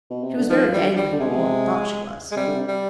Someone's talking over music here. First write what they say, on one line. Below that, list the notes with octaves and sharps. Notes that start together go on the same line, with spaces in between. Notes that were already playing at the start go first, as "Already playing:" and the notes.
She was very angry, or thought she was.
B2
C3
D3
D#3 F3
G3
D3
G3
D3
C3 G#3
B2
C3
G#3
C3 G3
D3
C3
G3